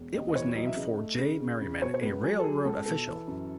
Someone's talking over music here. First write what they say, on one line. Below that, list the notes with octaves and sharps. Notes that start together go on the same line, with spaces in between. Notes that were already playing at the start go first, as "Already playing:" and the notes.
It was named for J. Merriman, a railroad official.
Already playing: E1
D#2 D#5
D#5
E3 C#5
F#3 D#5
E5
C#3 D#5
A3
C#3
C#3
C#3
B2 C#5
C#5
C#2 B4
F#3 G#4
A4
F#3 G#4
C#2 A4
B2 A4
E3
F#2